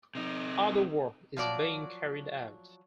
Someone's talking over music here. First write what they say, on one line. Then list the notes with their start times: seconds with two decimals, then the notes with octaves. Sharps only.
Other work is being carried out.
0.15 C3 D#4
1.37 F3 F#3 D5 A5